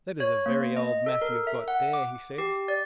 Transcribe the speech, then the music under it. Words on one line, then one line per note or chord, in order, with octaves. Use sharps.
"That is a very old map you have got there," he said.
C#5
A#3
D#5
A4
A#4
E5
F#5
D6
G4
D5